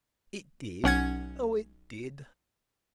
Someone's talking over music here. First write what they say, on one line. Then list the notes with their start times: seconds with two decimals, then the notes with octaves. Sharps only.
It did, oh it did.
0.84 B1 C#4 F#5 G#6